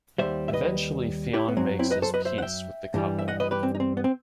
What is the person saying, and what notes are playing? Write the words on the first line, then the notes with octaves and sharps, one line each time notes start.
Eventually Fionn makes his peace with the couple.
D#2 D#3 G3 C5 E5
E5
B4 D#5
E4 G4
B3
F#2 F#3 C4
C4 E4
B4 D#5
A4 C5
B4 D#5
C5 E5
F#5
E5 G5
G2 E3 G3
E5
D#5 F#5
B4 D#5
G4 B4
C4
D#4
C4
B3
C4